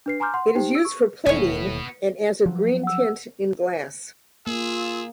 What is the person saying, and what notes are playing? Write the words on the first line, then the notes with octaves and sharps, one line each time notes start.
It is used for plating and as a green tint in glass.
D4 B4 C7
G#5 A#5 C6 D6 F6 G6
F#5 C6
D#4 G4 C5 G5
E6 D7
C#6
E1 D#2 A2 B3 F#4 C#5 G#5
F3 F#3
F#5 E6
A#3 F4 G#4 E6